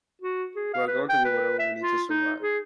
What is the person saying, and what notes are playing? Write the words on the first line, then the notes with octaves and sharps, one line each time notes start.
We are going to do whatever we need to do to survive.
F#4
G#4
F5
B4
G5
B4
E5
F4
D#4
G#4